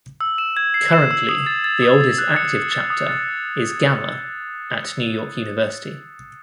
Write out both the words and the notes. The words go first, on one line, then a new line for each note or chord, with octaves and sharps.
Currently, the oldest active chapter is Gamma at New York University.
E6
E7
G#6
C7
E7
E6
D#6
A6
A6
D#6
A6
F#6
C#7
C#7
A6
D#6
A6